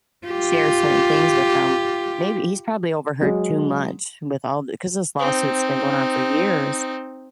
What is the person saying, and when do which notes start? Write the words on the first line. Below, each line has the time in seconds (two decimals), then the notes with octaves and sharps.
share certain things with him. Maybe he's probably overheard too much with all the ‘cause this lawsuit's been going on for years.
0.27 F4 G4
3.22 F#3 G#3
5.19 C4 D#4